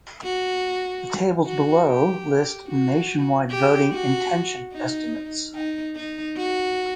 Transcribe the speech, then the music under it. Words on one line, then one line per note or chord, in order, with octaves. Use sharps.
The tables below list nationwide voting intention estimates.
F#4
F#4
G4
F#4
G4
F#4
D#4
D#4
D#4
F#4